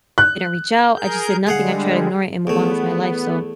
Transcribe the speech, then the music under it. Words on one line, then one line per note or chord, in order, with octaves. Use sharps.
reach out, I just did nothing, I tried to ignore it and move on with my life, so,
F#6
G#4 A#4 G6
D3 G3 G#3 G#4 F5 F#5
E2 A3 B3